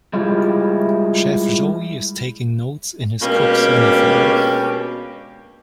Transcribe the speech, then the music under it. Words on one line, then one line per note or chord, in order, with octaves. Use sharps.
Chef Joey is taking notes in his cook 's uniform.
G3 G#3 E4 F4
B2 G#3 A#3 C#4 D4 G4